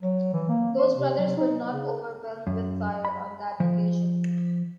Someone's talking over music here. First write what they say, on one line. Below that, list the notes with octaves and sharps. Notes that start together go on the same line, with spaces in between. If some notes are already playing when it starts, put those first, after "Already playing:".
Those brothers were not "overwhelmed with fire" on that occasion.
F#3
E3
A#3
C5
C3
F#3
D#4
C#3
F#2
B5
F3